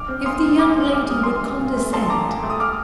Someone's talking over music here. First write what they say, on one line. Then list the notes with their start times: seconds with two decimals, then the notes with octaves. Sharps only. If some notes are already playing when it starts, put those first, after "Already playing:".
If the young lady would condescent!
Already playing: A#1 D6 F6
0.08 C4
0.21 F6
0.25 A#2 C6 D#6
0.43 G3
0.59 A#1 D6 F6
0.76 C4
0.92 A#2 D6 F6
1.10 G3 D#6
1.16 F6
1.23 A#1 C6 D#6
1.43 A#1
1.59 A#2
1.77 A3
1.93 A#1 A5 C6
2.10 A#1 A#5 D6
2.26 A#2
2.43 A3
2.50 D#6
2.60 D6 F6